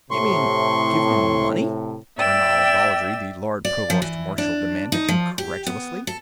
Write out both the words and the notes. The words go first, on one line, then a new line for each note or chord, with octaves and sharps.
"You mean, give them money?" Ranal Valdry, the Lord Provost-Marshal demanded, incredulously.
A2 C3 C6 C#6
D5 E5 G5 E6
D5
F3
E3
D4
D#4
F3
G4
B3
A4